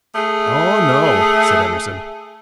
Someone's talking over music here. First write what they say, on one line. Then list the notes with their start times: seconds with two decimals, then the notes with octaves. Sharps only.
"Oh no," said Emerson.
0.14 A3 G#4